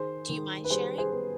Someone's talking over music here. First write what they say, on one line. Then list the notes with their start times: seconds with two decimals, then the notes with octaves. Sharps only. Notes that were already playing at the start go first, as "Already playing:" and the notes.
do you mind sharing?
Already playing: D#3 G#4 C5
0.29 D#3
0.64 B4
0.70 G3 G#4 C5
0.98 G#4 C5
1.11 B3